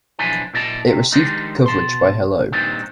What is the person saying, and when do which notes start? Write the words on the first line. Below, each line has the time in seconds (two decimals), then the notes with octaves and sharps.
It received coverage by Hello!
0.19 B1 E2 F3 D4 E4 G#5
0.54 A#2 E4 D5 D#5 F#5 A5
0.87 C3
1.12 D#3 F3 G3 G#3 D4 D#4
1.66 B2 A5 C6
2.52 G2 A#2 D#3 C4 D4 D#4